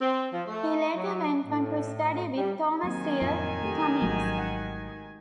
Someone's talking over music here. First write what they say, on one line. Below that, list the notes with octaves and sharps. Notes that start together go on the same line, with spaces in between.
He later went on to study with Thomas Seir Cummings.
C4
F3
A3
F#3
A2
G3
D#3 F#3 A#3 C4 G#5
F2 A2 F4 D#5 E5
A3 G4
G#1 F3 F#3 G#3 F#4
F#5